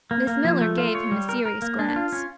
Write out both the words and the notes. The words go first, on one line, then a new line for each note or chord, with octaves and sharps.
Miss Miller gave him a serious glance.
A#3
A#3
F3
A3
F4
C#5
G3
A#4
A#4
A#3
D4
F4
C#4